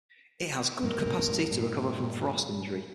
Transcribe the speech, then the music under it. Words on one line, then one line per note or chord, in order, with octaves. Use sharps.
It has good capacity to recover from frost injury.
F#2 A2 A#4
D3
A2 C3
F#2 A2
G2 A#2